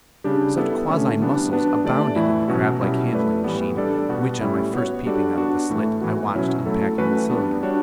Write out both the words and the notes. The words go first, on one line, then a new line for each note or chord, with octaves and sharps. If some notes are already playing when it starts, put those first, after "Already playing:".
Such quasi-muscles abounded in the crablike handling-machine which, on my first peeping out of the slit, I watched unpacking the cylinder.
C#3 G3 D4 G4
G3 B3 E4 A4
D3 A3 C#4
E3 G3 B3 D4
B3 D4 F#4 B4
E3 A3 D4 G4 D5
A2 E3 A3 E4
B2 F#3 C#4 F#4
B2 G3 C#4 E4
A3 E4 B4 D5
A2 E3 G3 B3
G3 D4 A4 D5
B2 G3 B3 F#4
A2 G3 C#4 E4
B3 F#4 C#5
G3 D4 F#4 A4 D5
B3 D4 F#4
A2 E3 A3
A2 E3 B3 F#4
B2 F#3 C#4 E4
F#3 A3 E4 A4
E3 A3 C#4 F#4 B4
G3 B3 D4
G3 D4 F#4 C#5